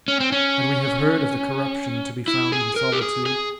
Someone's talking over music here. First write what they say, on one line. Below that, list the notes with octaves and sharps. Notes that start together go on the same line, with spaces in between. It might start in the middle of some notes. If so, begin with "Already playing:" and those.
And we have heard of the corruption to be found in solitude.
C#4
C4
C#4
E4
G#4
A#4
G4
G#4
G#4